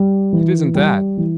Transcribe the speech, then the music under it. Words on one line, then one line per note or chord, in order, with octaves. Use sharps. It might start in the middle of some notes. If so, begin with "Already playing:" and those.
"It isn't that."
Already playing: G3
E3
G3
E3